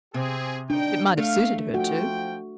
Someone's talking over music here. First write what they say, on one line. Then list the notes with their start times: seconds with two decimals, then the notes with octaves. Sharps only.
It might have suited her too.
0.14 C3 C4 G4 G#4
0.70 G#1 D4 D#4 G5
1.17 A3 F5
1.74 F3 F#4 G5